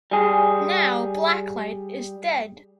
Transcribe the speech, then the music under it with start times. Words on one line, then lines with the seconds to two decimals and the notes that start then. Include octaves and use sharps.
Now Blacklight is dead.
0.11 G3 G#4